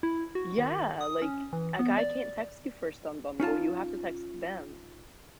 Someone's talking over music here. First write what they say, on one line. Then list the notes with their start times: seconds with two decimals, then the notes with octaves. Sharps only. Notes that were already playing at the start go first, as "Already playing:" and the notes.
Yeah, like, a guy can't text you first on Bumble. You have to text them,
0.03 E4
0.35 F#4
0.58 D#3
1.01 D#6
1.22 C#4
1.53 E3
1.79 B3
1.98 D5
3.40 C#4 D#4 F4 A5